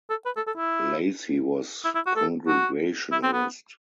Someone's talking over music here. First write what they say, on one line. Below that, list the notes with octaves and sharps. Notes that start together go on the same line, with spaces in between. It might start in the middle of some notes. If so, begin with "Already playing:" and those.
Lacy was Congregationalist.
A4
B4
A4
A4
E4
E4
E4
F#4
A4
F#4
E4
C4
B3